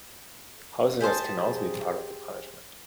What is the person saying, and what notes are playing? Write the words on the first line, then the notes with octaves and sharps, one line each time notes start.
House arrest can also be part of the punishment.
G4 G#4 C5 A5